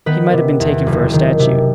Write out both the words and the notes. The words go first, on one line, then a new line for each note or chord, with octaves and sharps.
He might have been taken for a statue.
D#3 B3 B4
C3
E2
F#1
D#3
C3